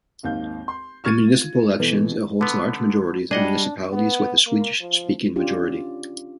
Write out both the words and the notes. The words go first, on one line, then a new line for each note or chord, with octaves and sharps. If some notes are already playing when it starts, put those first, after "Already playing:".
In municipal elections, it holds large majorities in municipalities with a Swedish-speaking majority.
G#1 D#2 F5 G6
C6
C#6 F6 G#6 A6 C#7 D#7
F4
B2 E3 A4
D3 B3 B4
G3 D4 G#4 D#5 F#5
B3
A#3
F3
C#4 D4 F4 G4